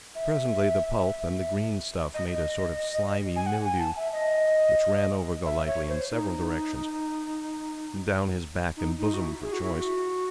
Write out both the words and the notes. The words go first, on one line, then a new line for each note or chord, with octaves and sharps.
Presently, the pulp and the green stuff made a sort of slimy mildew which ran over Golightly in several directions--down his back and bosom for choice.
E5
D#5
G#5
F#5
G#5
A5
E5
D#5
E5
C#5
C5
D#4
D#4
D#4
F#4
E4
G#4
F#4
E4
F#4